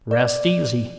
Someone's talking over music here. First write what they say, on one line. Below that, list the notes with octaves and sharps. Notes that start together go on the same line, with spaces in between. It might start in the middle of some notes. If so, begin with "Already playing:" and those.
"Rest easy."
D5